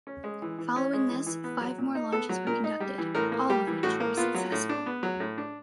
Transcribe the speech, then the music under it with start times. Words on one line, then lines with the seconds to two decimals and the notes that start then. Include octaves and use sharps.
Following this, five more launches were conducted, all of which were successful.
0.07 C#4
0.24 G#3
0.42 E3
0.58 E3
0.76 C#4
0.93 G#3
1.10 E3
1.26 E3
1.44 B3
1.61 F#3
1.78 A#2
1.95 D#4
2.12 B3 A4
2.29 F#3
2.47 A#2 A#4
2.64 D#4
2.80 G3
2.98 E3
3.15 A2 A#4
3.32 A#3
3.50 G3 G4
3.67 E3
3.83 A2 F#4
4.00 A#3
4.17 B3 F4
4.34 F#3
4.52 A2
4.69 D4
4.86 B3
5.03 F#3
5.20 A2
5.38 D4